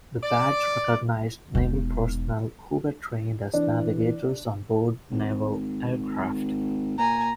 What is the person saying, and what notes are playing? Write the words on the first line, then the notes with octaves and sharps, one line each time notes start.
The badge recognized naval personnel who were trained as navigators on board naval aircraft.
D5
E1 D#4
E3 D4
G#1
A#2 G#5 A#5